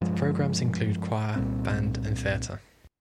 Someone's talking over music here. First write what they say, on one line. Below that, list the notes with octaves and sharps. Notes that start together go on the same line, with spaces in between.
The programs include: Choir, Band, and Theatre.
G2 F3 G#3
C2 A#2 G3 C4